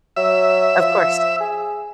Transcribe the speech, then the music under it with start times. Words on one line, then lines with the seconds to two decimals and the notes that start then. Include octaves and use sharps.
Of course.
0.16 F#3 E5
0.82 F3
1.40 G#4